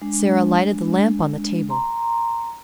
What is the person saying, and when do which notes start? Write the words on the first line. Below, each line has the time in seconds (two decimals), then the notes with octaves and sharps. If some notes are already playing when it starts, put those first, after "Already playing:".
Sara lighted the lamp on the table.
0.02 G#3 D4
1.70 A#5 C6